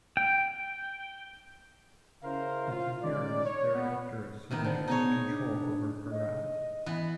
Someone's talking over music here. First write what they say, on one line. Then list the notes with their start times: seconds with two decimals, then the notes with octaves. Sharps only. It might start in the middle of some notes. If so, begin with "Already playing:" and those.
The Tahirids thereafter assumed direct control over Herat.
0.17 G5
2.23 C#3 C#4 E4 A#4 C5 F5
2.71 F4
3.02 G#3 C#4 D#4 D5
3.45 C#5
3.74 B3
4.51 C3 D#3 B3
4.64 D3 C5
4.88 B3 D#4 G#4 C#5
5.27 D4
6.12 D#5
6.86 E3 B3